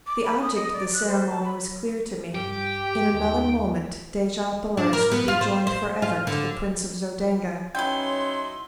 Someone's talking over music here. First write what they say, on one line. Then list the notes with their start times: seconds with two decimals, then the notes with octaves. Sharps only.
The object of the ceremony was clear to me; in another moment Dejah Thoris would be joined forever to the Prince of Zodanga.
0.07 D6
0.25 B5
0.42 D#6
0.56 D#5
0.73 D5
0.94 F#6
1.07 C5
1.29 A5
1.44 B5
2.35 G2 G4 G5
3.12 D#2 A3
4.77 D4
4.93 A#4
5.12 B3
5.28 F4
5.41 C5
5.67 C5
6.02 F4
6.27 D3
7.75 F#3 C#4 D#4 E4 B4 G5 C6